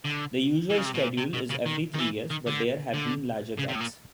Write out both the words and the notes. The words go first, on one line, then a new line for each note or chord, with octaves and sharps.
The usual schedule is every three years, but there have been larger gaps.
D3
E3
C#3
C3
B2
A#2
C3
B2
C#3
D#3
D#3
E3
D#3
D3
D3
C#3
C3
A2
A#2